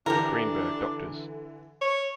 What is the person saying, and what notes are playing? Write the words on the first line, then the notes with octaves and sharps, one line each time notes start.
Greenberg, Drs.
D3 E3 D4 G4 A4 A#4
C#5